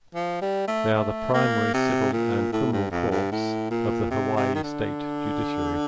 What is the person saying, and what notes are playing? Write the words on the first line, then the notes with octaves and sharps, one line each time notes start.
They are the primary civil and criminal courts of the Hawaii State Judiciary.
F3
G3
A3
A3
A#3
C3
A#2
A2
G2
F2
G2
A2
A#2
C3
C3
D#3
D3